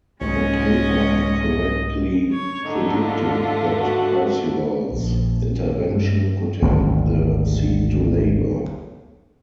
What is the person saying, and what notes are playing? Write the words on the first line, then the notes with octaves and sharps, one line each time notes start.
The paper had correctly predicted that Percival's intervention could hand the seat to Labour.
C2 G#2 F#3 G#3 C#4 D#5
C#5
G#2 D3 A3 D#4
F4
F#4
A#1
G2
G#1 D2